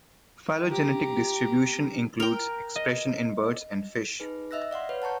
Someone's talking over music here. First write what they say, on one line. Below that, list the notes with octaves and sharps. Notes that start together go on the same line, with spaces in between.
Phylogenetic distribution includes expression in birds and fish.
G4 A#5
A#4 G5
D#5
D#4 G#4 B4
D#5 E5 E6 F#6 A#6
D5 F5 F#5 C6
B4 C#5
F#5 A5 A#5 C#6 G6